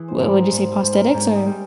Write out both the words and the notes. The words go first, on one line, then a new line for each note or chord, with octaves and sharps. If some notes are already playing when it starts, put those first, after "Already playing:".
what would you say prosthetics, or?
Already playing: E3 G#4
C5
G#2 A#4
G#2 C5
C5
G#2
A#4
G#2 A#4
G#4
G3